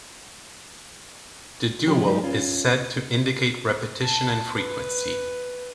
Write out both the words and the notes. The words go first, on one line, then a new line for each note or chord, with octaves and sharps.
The dual is said to indicate repetition and frequency.
F3 C#4 G4
F#3 G#3 D#4 G4
C#4 F4
A5
B4